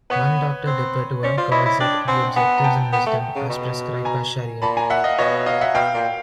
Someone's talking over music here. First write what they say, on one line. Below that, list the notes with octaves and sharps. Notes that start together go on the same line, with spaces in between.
One Doctor Dipertua calls it "the objectives and wisdom" as "prescribed by Shariah".
B3 B4 C#5
C4
C#4 C5 D5
F4 C5 D5
E4 C#5 D#5
E4
D4 G5 A5
C4 F#5 G#5
B3 F#5 G#5
A#5
G5 A5
B3
A3
C#3
B2
G#5 A#5
A#2 A5 B5
G#5 A#5
E5 F#5
D#5 F5
B2 C#5 D#5
D#5 F5
E5 F#5
B2 F5 G5
A#2